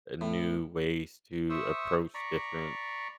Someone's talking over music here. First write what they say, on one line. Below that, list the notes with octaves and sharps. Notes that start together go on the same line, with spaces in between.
uh, new ways to approach different
A2
C5 E5 C#6 D#6 E6
D5 A#5 B5 C#6